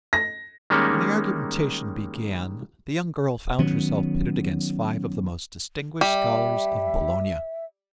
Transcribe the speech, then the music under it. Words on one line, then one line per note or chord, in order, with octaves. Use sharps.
When the argumentation began the young girl found herself pitted against five of the most distinguished scholars of Bologna.
A#6
D#3 G3 G#3 A#3 C#4
D#3 F#3 B3 C#4
G3 E5